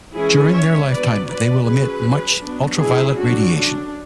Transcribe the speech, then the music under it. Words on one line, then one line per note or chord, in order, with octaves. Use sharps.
During their lifetime, they will emit much ultraviolet radiation.
E3 G#3 C#4 E4 G#4
C#5 E5
F#3 B3 D4 B4 D5
B4 D5
F#3 C#4 G#4 B4
F#3 B3 D4
E4 G#4
D3 F#3 C#4 D4 F#4
D4